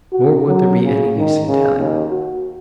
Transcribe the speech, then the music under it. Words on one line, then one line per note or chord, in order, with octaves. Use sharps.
Nor would there be any use in telling them.
F#4
F#3
C#3
D#3
C#3
D#2
F#4